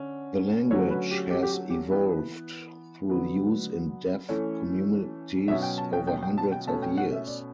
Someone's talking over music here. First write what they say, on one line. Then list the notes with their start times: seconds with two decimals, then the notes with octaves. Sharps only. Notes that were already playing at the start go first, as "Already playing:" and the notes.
The language has evolved through use in deaf communities over hundreds of years.
Already playing: D3 C#4
0.70 D3 F#3 A3 C#4 C#5
0.91 B4
1.11 G4
1.30 G4
1.43 G4
1.50 F#4
1.70 G4
1.90 E3 B3 B4
3.09 D3 F#3 B3
4.29 E3 A3 C#4 C#5
5.48 B2 F#3 C#4 E5
5.63 G5
5.78 A5
5.93 G5
6.07 G5
6.22 G5
6.38 A5
6.52 G5
6.67 B2 A3 C#4 A5
6.82 G5
6.97 F#5
7.12 E5
7.27 D5